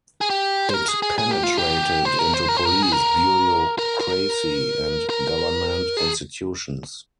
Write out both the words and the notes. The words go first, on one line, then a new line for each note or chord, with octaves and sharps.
It penetrated into police, bureaucracy and government institutions.
G#4
G4
C5
A#4
G#4
G#4
G#4
G4
F4
G4
C5
A#4
C5
A#4
C5
A#4
G#4
A#4
A#4
A#4
A#4
G#4